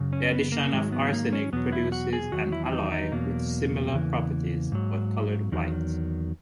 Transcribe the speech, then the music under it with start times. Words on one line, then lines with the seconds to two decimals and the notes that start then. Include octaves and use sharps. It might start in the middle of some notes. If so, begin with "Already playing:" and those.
The addition of arsenic produces an alloy with similar properties but coloured white.
Already playing: F#2 C#3
0.13 C#4
0.32 B3
0.52 A#3
0.73 G#2 D#3 F#3 G#3
0.92 B3
1.13 A#3
1.33 C#4
1.52 E2 B2 F#3 B3
1.72 E4
1.92 F#4
2.13 G#4
2.32 E2 D#3 F#3 F#4
2.52 E4
2.66 E4
2.73 D#4
2.92 D#4
3.12 E2 B2 F#3 A#3
3.92 E2 C#3 E3
4.72 G#2 F#3
5.52 E2 D#3 F#3